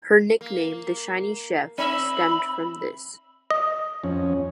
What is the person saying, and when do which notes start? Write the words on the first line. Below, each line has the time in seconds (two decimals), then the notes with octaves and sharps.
Her nickname, the "Shiny Sheff", stemmed from this.
0.41 A#3
1.78 C4 E5 B5
3.50 D#5
4.04 F2 C#4